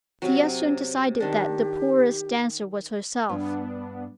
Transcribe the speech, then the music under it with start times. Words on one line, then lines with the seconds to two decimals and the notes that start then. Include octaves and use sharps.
Thea soon decided that the poorest dancer was herself.
0.22 C3 F#3
1.20 D#3 D4 G4
3.29 G2 B3 D4